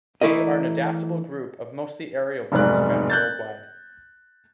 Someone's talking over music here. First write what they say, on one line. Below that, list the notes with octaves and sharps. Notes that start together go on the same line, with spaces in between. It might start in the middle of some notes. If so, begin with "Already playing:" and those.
They are an adaptable group of mostly aerial birds found worldwide.
E3 A3 E4 A#4 D#5
F1 B1 G#2 D5 F#6
F#6 G6 A6